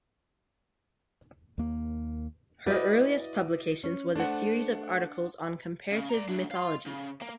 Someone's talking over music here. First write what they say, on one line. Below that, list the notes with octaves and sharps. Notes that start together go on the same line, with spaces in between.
Her earliest publications was a series of articles on comparative mythology.
D#2 A#3
E4 F#4 B4 D5 D#5
C#4
A3 D4 C5 F#5
C#3
D5 A#5
D2 D4
F5 C6
C#3
A#3